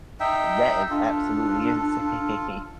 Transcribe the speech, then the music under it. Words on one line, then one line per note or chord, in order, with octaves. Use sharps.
That is absolutely insane.
D#4 E5 G5
D4 F4 A4